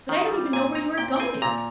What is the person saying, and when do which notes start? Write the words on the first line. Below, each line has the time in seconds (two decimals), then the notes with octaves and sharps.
But I don't even know where you are going.
0.09 D#3
0.32 G3
0.53 A#2 G#5
0.75 C4 A#5
0.97 A#2 G5
1.16 G5
1.20 C4 G#5
1.42 A#2 A#5